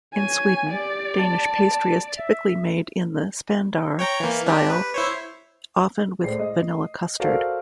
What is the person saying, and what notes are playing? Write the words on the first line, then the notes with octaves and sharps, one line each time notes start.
In Sweden, Danish pastry is typically made in the Spandauer-style, often with vanilla custard.
C#5 G#5
G4 D5
A5
E5
C#5 G5 A#5
E3 A#3
D4 G4
B4
E4 C5 C#5
A2 G#3 C5 D5 C7
D#5
F#4 A4 A#4 C5 D5 F5